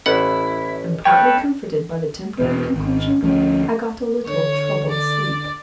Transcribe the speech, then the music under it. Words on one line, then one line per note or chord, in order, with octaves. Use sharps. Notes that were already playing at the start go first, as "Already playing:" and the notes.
And partly comforted by the temporary conclusion, I got a little troubled sleep.
A1 E4 F#5
A4 B4 C#5 G5
E2 B2
G#1
D2 F3 C#4
D3 C#5
D5